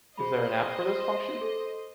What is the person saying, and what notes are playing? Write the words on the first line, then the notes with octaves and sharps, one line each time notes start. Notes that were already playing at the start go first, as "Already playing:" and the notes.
Is there an app for this function?
G#4 C5 D#5 B5
A4